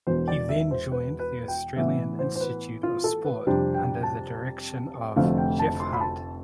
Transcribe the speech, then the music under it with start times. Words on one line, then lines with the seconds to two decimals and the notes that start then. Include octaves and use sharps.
He then joined the Australian Institute of Sport under the direction of Geoff Hunt.
0.07 E1 E2 B2 C5
0.28 D5
0.49 E5
0.71 C5
0.92 B4
1.19 B4
1.48 G5
1.76 A2 E3 B3 E4 E5
2.19 C5
2.36 C5
2.40 B4
2.83 F4
3.04 A4
3.25 B4
3.47 F2 C3 G3 D4 C5
3.74 G5
4.03 A5
5.16 F1 F2 D3 A3 C4 F5
5.38 G5
5.59 A5
5.80 C6
5.93 B5
6.01 A5